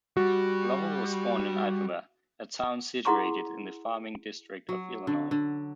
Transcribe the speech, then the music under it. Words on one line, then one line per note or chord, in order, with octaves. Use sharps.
Lovell was born in Ipava, a town situated in the farming district of Illinois.
G3 F#4
E4 G#4 F#5 A#5 C6 C#6
F#3
D3
D3